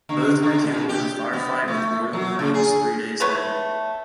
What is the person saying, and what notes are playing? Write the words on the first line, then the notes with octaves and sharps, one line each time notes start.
Both were killed in a firefight with Royal Marines three days later.
D3
D3
A#2
G4
B3
A3
F#3
C#3
G#4
A3 B3 B4 C#5